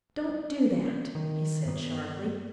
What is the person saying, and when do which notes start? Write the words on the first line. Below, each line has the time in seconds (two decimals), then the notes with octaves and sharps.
"Don't do that!" he said sharply.
1.15 D#3
1.66 G2 B3